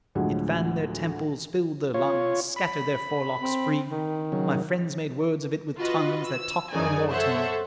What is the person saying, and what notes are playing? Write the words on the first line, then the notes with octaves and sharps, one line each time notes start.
It fanned their temples, filled their lungs, Scattered their forelocks free; My friends made words of it with tongues That talk no more to me.
D2 A2 D3 F3 F#3 G#3
F4 C#5
B5
C4
D#3
C#3 F#3
F4 F#4 B4 D#5
E6
F#2 C#3 D#4 A#4 D5 G#5
A4 C5 C#5 E5 F#5